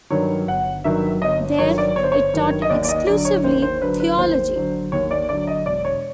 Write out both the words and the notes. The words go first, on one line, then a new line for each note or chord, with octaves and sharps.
There, it taught exclusively theology.
G2 D#3 F#3 C#5
G1 F#5
G2 D#3 F#3 E5
G1 D#5
G2 D#3 F#3 C#5
D5
G1 C#5
C5
C#5
G2 D#3 F#3
D#5
D#2 D5
D5
D#5
D3 F#3 D5
C#5
D#2 C5
C5
D3 F#3 B4
B4
D#2 C5
D3 F#3
D#2 C#5
D5
D3 F#3 D5
D#5
E1 D5
C#5